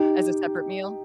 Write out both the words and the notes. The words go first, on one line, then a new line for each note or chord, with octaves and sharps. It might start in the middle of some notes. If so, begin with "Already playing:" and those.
As a separate meal?
Already playing: D#4 G4